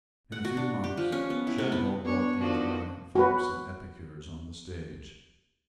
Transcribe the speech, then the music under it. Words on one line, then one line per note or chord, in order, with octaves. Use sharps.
In a few months Shadwell brought these valiant fops and epicures on the stage.
F#5
F#4
D4
G4
F3
C#4
B3
E4
C3
B3
B3 D4 C#5
D#3 F3 D4 F#4
F#4 B4